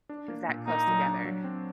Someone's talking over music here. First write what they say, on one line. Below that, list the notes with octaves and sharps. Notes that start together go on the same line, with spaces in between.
that close together.
D4
A#3
A#2
A#3 D#4
F#3
D4
F#3
C4